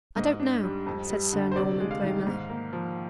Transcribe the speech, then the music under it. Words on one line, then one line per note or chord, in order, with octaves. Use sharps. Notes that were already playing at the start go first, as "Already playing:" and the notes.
"I don't know," said Sir Norman, gloomily.
G#2 D#5
D4
G3
F2
G3
D3
C5
C3 D5
G#3
F5
D#3
G#2
A#3
F3